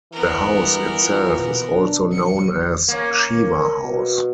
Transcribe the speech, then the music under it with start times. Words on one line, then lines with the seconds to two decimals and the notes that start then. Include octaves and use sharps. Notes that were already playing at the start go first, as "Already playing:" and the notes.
The house itself is also known as "Shiwa House".
0.12 E3 B3 A#4
0.51 G2
1.02 F4
1.36 B2 B4
1.75 D4
2.12 F3 F#3 C#7
2.88 A#3 C#4
3.35 A#4
3.81 B2